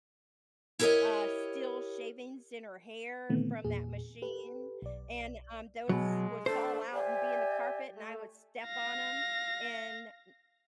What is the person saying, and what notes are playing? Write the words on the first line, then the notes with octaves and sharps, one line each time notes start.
uh, steel shavings in her hair from that machine, and, um, those would fall out and be in the carpet, and I would step on 'em, and, n
E4 G4 A#4 C5 C#5 D#5
A#2 D3 D#3 A3 B3 C4
E2 A#2 G#4
G4 A4 B4
B1 D5
B2 F#3 G#3
A3 D4 A4 C5
G4 D5 E5 G#5
A3
F5 A#6